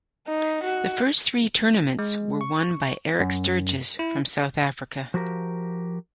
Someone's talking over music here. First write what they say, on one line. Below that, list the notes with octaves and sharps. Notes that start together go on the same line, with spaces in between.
The first three tournaments were won by Eric Sturgess from South Africa.
D#4
F#4
G#3
C#6
F#2
E4
F3 F#4 G4 A#4